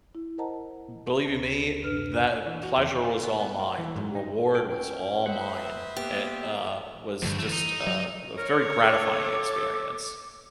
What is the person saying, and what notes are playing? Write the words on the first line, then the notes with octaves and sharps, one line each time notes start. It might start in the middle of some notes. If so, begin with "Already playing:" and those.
believe you me, that pleasure was all mine. The reward was all mine. It, uh, was just a a very gratifying experience.
E4
A#4 C5 D#5 F#5 A5 A#5
D2
F#2 C3 D4 B4 F6
E3
F#4
E2
C#5
F4
B3
B3
A#4
E3
G#2
D#4
C#4 G5
B4 C5 D#5 E5 F#5
A#3 B3 G4
D2 G2 D3 F3
G#2 E3 A3
D#4
F#3
A#4 C#5 F6
A4 D6